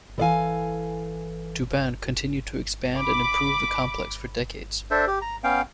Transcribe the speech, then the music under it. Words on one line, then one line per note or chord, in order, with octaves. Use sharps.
Duban continued to expand and improve the complex for decades.
E3 A4 D5 D#5 F5 G#5
B5 D6
D4 A4 C5 E5
G4
A#5
B3 C#4 F5 G5